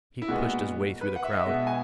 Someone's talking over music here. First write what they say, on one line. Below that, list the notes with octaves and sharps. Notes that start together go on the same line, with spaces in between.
He pushed his way through the crowd.
E4
A#2 G#3 B3 F#4
B4
F#5
E5
D#5
E5
B2 G#3 B3
G#5